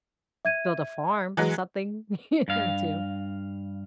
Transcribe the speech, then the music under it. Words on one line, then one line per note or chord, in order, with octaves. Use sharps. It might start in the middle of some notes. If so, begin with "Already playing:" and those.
build a farm, something here, too.
E5 G#6 D#7
E3 F#3 G#3
G2 F5